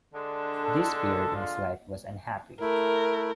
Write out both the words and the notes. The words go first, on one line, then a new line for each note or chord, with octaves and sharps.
This period in his life was unhappy.
D3 G#3 D4
A4
F4
A3 E4 A#4